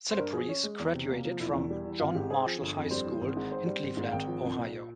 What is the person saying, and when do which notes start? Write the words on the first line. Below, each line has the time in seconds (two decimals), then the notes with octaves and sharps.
Celebrezze graduated from John Marshall High School in Cleveland, Ohio.
0.11 C5
0.18 G2 A#4
0.33 F3 G#4
0.49 C#4
0.63 G#3
0.79 E2
0.94 C3
1.09 A#3
1.25 F3
1.40 E1 E4
1.54 E2
1.71 G3
1.85 E3
2.00 G#1 F4
2.15 G#2 G4
2.30 C4 G#4
2.45 F3
2.61 G1
2.77 F2
2.91 G3 C5
3.06 E3
3.21 G#1
3.37 G#2
3.51 C4 C5
3.66 G3
3.83 G#1
3.97 G#2
4.08 F5
4.12 G#1 G5
4.27 F3
4.43 C2
4.58 A#2